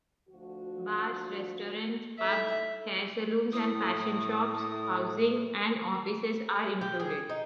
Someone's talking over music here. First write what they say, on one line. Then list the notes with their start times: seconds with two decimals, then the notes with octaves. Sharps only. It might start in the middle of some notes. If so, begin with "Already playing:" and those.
Bars, restaurants, pubs, hair salons and fashion shops, housing and offices are included.
0.30 D2 F3 F#4
2.19 A2 D#4 A4 E5
3.52 A2 D#6
6.81 G4
7.00 G#4
7.30 D#4